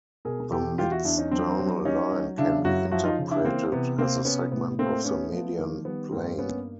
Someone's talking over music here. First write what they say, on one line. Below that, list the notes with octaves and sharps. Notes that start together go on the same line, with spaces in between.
The midsternal line can be interpreted as a segment of the median plane.
B2 G#4 A#4
E2 G4 A4
E2 F4 G4
E4 F#4
E2 D4 E4
C#4 D#4
F#3 C4 D4
F#3
F#3 C#4 D#4
F#3
C#3 D4 E4
F#2 E4 F#4
F3 E4 F#4
D#4 F4
C#3
D4 E4
E3 A#3 C4
C3 B3
C3 A#3 C4
C3 B3 C#4
A2 B3
A3 A#3 C4
A3 B3 C#4
F3 B3
D#3 A#3
G3 B3
G2 A#3 C4
A#3 B3 C#4